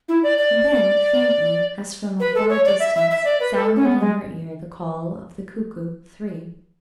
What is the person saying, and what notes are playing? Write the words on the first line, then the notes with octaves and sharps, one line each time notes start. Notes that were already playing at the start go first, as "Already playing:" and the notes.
And then faintly, as from a far distance, sounded in her ear the call of the cuckoo--three.
E4
D5
D5
B4
A4
C#5
D5
E5
E5
E5
D5
B4
A4
C#4
B3
G#3